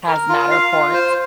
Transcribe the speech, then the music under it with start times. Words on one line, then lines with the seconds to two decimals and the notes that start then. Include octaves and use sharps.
has Matterports
0.08 A#4
0.29 F4
0.51 F5
0.72 F4
0.94 C5